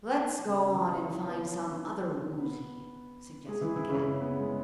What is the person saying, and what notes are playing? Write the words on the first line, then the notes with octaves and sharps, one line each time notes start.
"Let's go on and find some other Woozy," suggested the cat.
B3
C#3 C#4
C#4
E3 E4
C#5
B3 B4
B3 B4
G#3 G#4
E3 E4
E3 E4
C#3 C#4
C#3 C#4
B3
G#3